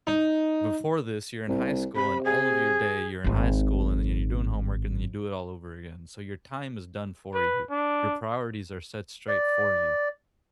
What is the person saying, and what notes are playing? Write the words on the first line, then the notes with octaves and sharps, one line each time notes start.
before this you're in high school, and all of your day you're in high school, and then you're doing homework, and then you do it all over again. So your time is done for you. Your priorities are set straight for you.
D#4
C2
C3 B5
G#4
G#1 D#4
B4
D4
D5